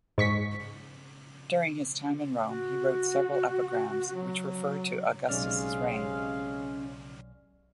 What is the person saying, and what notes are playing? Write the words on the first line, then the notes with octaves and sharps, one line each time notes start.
During his time in Rome, he wrote several epigrams, which refer to Augustus' reign.
G#2 C#6 B6
F#4
F#3
B1 C3 G#3 C#4 D5 F5 F6